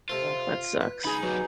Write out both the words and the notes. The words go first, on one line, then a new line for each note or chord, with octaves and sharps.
Ugh, that sucks,
C3 F4 A4 C5
B4
C#2 D#4 G#4 B5
B2 F#3 G4